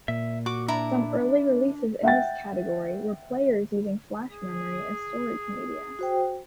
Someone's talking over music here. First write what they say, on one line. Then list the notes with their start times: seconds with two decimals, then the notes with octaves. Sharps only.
Some early releases in this category were players using flash memory as storage media.
0.08 A#2 E5
0.46 F#4 D6
0.68 D4 E4 A#5
2.03 E5 F#5 G5 A6
4.29 G#4
5.99 F#4 C5 G5